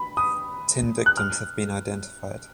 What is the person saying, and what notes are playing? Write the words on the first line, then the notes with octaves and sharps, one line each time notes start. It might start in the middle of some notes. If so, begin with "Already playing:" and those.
Ten victims have been identified.
Already playing: B5
D#6
F#6
F6